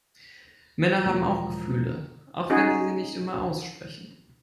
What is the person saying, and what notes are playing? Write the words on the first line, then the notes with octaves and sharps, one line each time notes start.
Männer haben auch Gefühle, auch wenn sie sie nicht immer aussprechen.
E1 F3 A#5
C#4 D#4 F#4 G#4